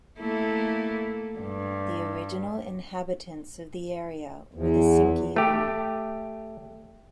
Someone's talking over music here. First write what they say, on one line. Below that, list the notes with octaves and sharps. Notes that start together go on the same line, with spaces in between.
The original inhabitants of the area were the Sinkyone.
A3 A#3 E4
G2
E2
A3 G4